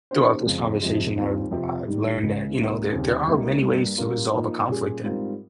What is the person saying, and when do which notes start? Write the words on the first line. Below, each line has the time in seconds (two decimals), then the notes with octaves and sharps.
throughout this conversation I've I've learned that, you know, there there are many ways to resolve a conflict and
0.11 D#3 A#3 C#4 G4 C5
0.46 F2 C#3 G#3 C4 F4
0.81 F2 C3 F3 G#3
1.16 D#2 D#3 G3 C4 F4
1.51 F2 C3 F3 C4 G4
1.87 G#2 D#3 G3
2.21 C#2 C#3 G#3
2.57 C#2 C3 D#3 A#3
2.92 D#2 C#3 G3 C4 G4
3.27 C#2 C3 G3 A#3 D#4
3.62 G2 G3 A#3
3.97 A#2 G3 C#4 F4 A#4
4.33 F3 A#3 D#4
4.68 A#2 G3 C#4 G#4
5.03 G#2 G3 C4 F4 A#4